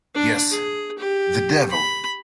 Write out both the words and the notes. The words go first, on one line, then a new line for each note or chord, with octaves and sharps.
Yes... the devil!
D4
G#4
G4
B5